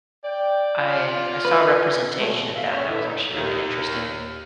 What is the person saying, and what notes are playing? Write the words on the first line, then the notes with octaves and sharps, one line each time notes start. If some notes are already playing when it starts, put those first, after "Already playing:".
I I saw a representation of that that was actually really interesting,
D5 G5
F4
B4
A#2 F#3 G#3 A3
D#2
E5 F5
A#2 C#3 C#5 E5 F6
A2 D3 E3 E5
D#4
D#2